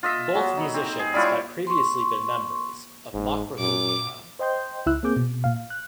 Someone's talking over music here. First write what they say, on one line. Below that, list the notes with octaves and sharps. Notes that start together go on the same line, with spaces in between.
Both musicians had previously been members of Makrothumia.
F4 D#5 E5
F#3
D#4 B5
C4
G#4
G3 E4 F4 C#5
C6 C#6
F#1 G#2
F#2 A#2 D6
C5 D#5 G5 C6 G6
C#2 E4 E6 F#6
A#3 C4 G#4 D6 G6
B2
A#2 F5
F#6